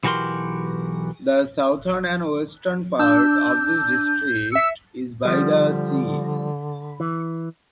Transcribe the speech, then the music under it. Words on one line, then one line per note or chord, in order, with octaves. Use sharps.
The southern and western part of the district is by the sea.
B1 E3 F#4 G4 A#4 C6
D4 E6 G6
E5 E6 C#7
D3 F3 G3
E3